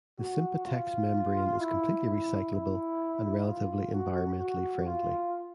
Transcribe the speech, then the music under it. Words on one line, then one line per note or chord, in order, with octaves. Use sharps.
The SympaTex membrane is completely recyclable and relatively environmentally friendly.
F#4
F4
E4
E4
E4
F4
F#4
F#4
F4